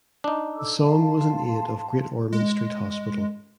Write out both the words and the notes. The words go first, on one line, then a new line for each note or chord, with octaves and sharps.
The song was in aid of Great Ormond Street Hospital.
D4 D#4
A4 D6 E6
F5 A5 C6
G#3